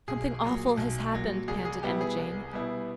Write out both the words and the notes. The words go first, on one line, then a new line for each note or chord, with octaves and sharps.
"Something awful has happened," panted Emma Jane.
B1 G#4
A#2 F#3
B1
A#2 F#3
C2 G#4
G#4
B2 G3 B3 E4 G4
G#4
C2
B2 G3 B3 E4